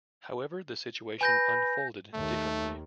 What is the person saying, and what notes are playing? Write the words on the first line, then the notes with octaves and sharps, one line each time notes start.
However, the situation unfolded differently.
B4 G#5 G6 A#6
D#2 A3